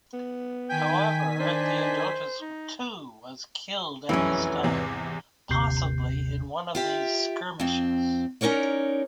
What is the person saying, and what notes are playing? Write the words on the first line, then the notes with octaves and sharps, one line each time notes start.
However, Theodotus too was killed at this time, possibly in one of these skirmishes.
B3
D#3 G5 G#5 B6
D4 C5
D#4
F1 B1 F#2 E3 C#4
G#1 E2 C3
G1 D#2 C3 G6 C7
F4 G4 E5
F2 C4
C#4 D#4 A#4 C#5 D5